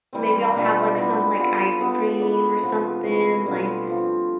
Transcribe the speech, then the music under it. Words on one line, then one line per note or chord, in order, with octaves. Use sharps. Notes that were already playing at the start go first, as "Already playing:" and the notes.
maybe I'll have, like, some, like, ice cream or something like,
E3 G3 C4
B2 G3 D4 F4
B3 E4 G4 C5
B3 F4 A4
B3 D4 A4 C5
B3 E4 B4 D5
C3 F3 B3 F4
E3 A3 E4
B2 G3 D4 F4
F3 C4 F4